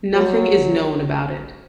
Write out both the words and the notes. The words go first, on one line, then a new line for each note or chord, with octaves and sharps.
Nothing is known about it.
F#3